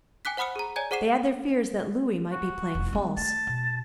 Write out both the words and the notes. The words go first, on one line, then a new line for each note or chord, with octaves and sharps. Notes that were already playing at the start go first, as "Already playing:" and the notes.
They had their fears that Lewis might be playing false.
G5 G#5 D6 F#6 B6
C5 F#5 B5 D#6 F6 C#7
G#4 A#5
C#5 D5 G#5 A#5 G#6
G#4 C5 F#5 D6 C7 E7
F#4
E1
G3 C4
A3 A5
B2